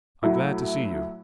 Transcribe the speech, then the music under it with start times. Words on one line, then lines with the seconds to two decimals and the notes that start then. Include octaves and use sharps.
I am glad to see you.
0.23 A2 F#3 A3 E4